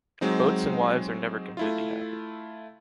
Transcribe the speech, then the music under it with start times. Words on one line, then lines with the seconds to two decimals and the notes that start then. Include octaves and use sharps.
Boats and wives are never completely happy.
0.21 F#3 G#3 C4 D#4
1.57 A3 E4 F4